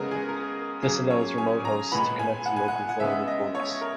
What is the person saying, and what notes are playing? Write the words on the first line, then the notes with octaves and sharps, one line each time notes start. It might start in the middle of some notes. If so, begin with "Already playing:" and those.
This allows remote hosts to connect to local forwarded ports.
Already playing: C#3 G#3 B3 G#4 A#4
G#4
A#4
C#3 F#3 A#3 G#4
C#5
G#5
A#5
A#2 G#3 B3 B5
G#5
F#5
G#5
F#5
F#5
C#3 G#3 B3 E5
D#5
C#5
A#4